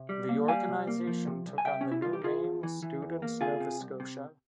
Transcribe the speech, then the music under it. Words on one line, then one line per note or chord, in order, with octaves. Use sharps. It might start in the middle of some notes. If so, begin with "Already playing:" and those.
The organization took on the new name, Students Nova Scotia.
Already playing: C3
G3
A#3
G3 F5 G#5
C3
A#3
F3
C3
C2
G#5
C2 E5 G5
C3 C#4
E4
C2 F4
G4
C3 F4 G#4
E2
E3
E3
E2
A#3
C3 F4 G#4
C3
C2
C3